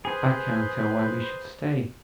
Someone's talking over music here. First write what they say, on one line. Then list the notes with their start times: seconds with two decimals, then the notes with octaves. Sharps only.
'I can't tell why we should stay.
0.05 G#4 B4 C5